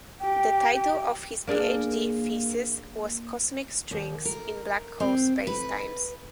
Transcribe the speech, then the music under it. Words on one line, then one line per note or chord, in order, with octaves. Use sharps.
The title of his PhD thesis was "Cosmic strings in black hole spacetimes".
G4 G5
A#3 D4 G#4
D#2
A#4
C4
B4